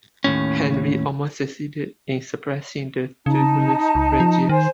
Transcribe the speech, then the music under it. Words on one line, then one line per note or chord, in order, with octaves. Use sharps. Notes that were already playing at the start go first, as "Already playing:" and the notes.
Henry almost succeeded in suppressing the "Titulus Regius".
D#2 A2 C#4
C#3 D#4 A5
C#2
F3
D#3 C5 G#5